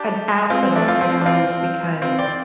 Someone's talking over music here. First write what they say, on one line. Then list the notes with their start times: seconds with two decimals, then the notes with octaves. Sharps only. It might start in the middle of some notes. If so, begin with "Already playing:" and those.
an app that I found because
Already playing: D4 G4
0.50 C4 F4
0.63 C4
0.76 A3 D4
0.88 C4 F4
1.01 C4
1.21 D4
1.26 C4 F4
2.02 C4 F4
2.19 D5 G5